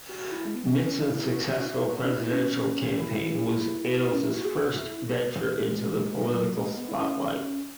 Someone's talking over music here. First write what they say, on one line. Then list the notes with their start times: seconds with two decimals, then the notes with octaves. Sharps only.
Nixon's successful presidential campaign was Ailes's first venture into the political spotlight.
0.09 F#4
0.32 E4
0.45 G#3
0.55 B3
0.65 C#4
0.98 E4
1.31 F#4
1.60 C#4
1.65 E4
1.87 F#4
2.04 C#4
2.10 E4
2.32 C#4
2.99 E4
4.12 C#4
4.23 E4
4.32 F#4
4.45 G#4
4.55 F#4
4.76 E4
5.65 G#3
6.32 F#3
6.55 G#3
6.77 B3
6.88 E4
6.99 C#4